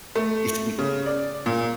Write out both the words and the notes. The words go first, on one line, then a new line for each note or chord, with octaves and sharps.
you see
A3
C#3
D5
A#2